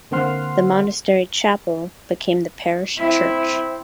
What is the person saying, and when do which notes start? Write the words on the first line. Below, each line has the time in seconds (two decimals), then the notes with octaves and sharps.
The monastery chapel became the parish church.
0.11 D3 A#3 C4 F#5 C6 F6
2.97 C4 E4